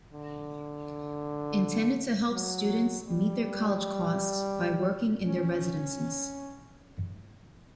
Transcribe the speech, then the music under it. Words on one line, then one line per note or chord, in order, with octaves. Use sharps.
Intended to help students meet their college costs by working in their residences.
D3
F#3
G3
C#4